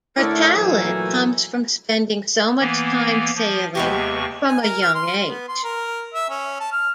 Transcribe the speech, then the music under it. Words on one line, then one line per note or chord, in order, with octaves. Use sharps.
Her talent comes from spending so much time sailing, from a young age.
D3 A3 E4 A#4 C#5 D5
A#2 E3 F#3 A3 A#3 G#5
E3 A#3 B3
F3
D#2 C3 G#3 B3 G4 C#6
G#5
A#4
F6
C6
B3
C6
A#4
E5
C#4
A5
F6